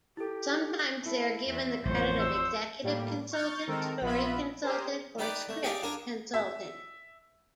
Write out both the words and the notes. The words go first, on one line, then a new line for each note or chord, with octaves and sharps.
Sometimes they are given the credit of "executive consultant", "story consultant" or "script consultant".
E4 G4 A4
E4 A4
E2 E5
A1 F2 C5 C#5
E6
A2 G3 A#3
C#6 F6 G6 A6
D#3 G#3 C4 A4 A#4
A#1 B3 F4 D#5 E5 B5
G4 G#4 A#4 C5
D#4 G4 B4 D5 B5 D6
A3
G4 G#4 D5 F5 G5 D6
D4 F4 G#4 A#4 G#5
E5